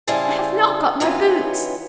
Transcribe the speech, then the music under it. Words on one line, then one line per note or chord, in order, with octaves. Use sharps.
I have not got my boots!
C#3 G3 E4 G#4 C5 A5
D#3 E3 F#3 B3 C#4 F4